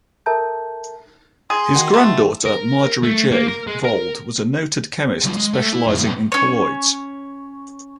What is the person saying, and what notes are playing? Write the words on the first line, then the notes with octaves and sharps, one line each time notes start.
His granddaughter Marjorie J. Vold was a noted chemist specializing in colloids.
A4 A#4 E5 A5 A#5 G6
G#4 C6
D#3 F#4 G#5
A3
A#4
A3
A#3
A#4
G#3
A#4
F#3 G3 D#4 F4
G#3
A3
E4
F2 A2 D3 F#3 G#3 E4
G2 B2 G3 F#4 B4 G5
C#4 C#5